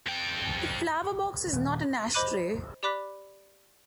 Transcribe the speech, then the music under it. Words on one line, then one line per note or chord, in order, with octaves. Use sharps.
The flower box is not an ashtray!
F2 G5
D#1
C5 D#5 B5 D6 F#6 D#7
G4 D5 B5 D6 F#6 B6